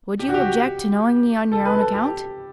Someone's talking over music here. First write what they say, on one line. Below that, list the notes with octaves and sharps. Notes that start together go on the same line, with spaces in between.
"Would you object to knowing me on your own account?"
G4
F#4
G4
A4
B4
A4
G4